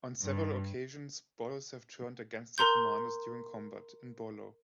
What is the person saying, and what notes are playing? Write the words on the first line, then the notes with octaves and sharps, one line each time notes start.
On several occasions, Bolos have turned against their commanders during combat: in Bolo!
G2
A#4 A#5 C6 G6